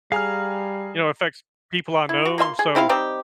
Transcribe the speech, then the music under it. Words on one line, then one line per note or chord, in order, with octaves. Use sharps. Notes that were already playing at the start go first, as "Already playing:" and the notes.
you know, it affects people I know. So,
G3 G#4 F5 A#5 F6
E4
F#4
A#3 F4 E5 C6
G#4
C4 E4 F4 F5
G3 C4 D#4 G4